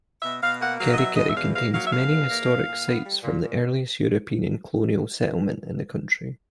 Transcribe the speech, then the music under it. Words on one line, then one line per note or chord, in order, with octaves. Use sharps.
Kerikeri contains many historic sites from the earliest European colonial settlement in the country.
B2 E5
B2 F5
A#3 F#5
F#3 F5
D#5
B2 E5
B2 D#5
E5
E2 F5
A#3 F5
F#3 F5
E5
B2 F5
E2
A#3
A#2
A#2
B3
G3
A#2
A#2